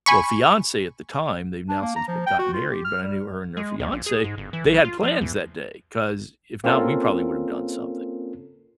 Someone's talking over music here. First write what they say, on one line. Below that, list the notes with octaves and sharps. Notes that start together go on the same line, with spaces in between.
well, fiancé at the time, they've now since been gotten married, but I knew her and her fiancé, they had plans that day 'cause if not, we probably would have done something.
G#5 B5 C#6
D4
A#3
A#5
F3
G5
F#4
F4
G4
F6
G3
G#3
D#2
A#1
G#4
G#2
G1
E3
B1
F4
F3
E2
A#3 C4 C#4 F4 A4 A#4